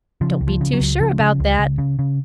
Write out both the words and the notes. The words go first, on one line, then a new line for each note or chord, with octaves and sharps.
"Don't be too sure about that."
C#3 F3
C#2
F3
C#3
F#3
C#2
C#3 F3
C#3
C#2
C#2
C#3
C#3